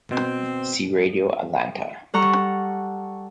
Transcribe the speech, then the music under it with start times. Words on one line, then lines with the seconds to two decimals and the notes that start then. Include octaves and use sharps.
See Radio Atlanta.
0.11 B2 C4
2.14 G3 A4 F#5 A#5 C#6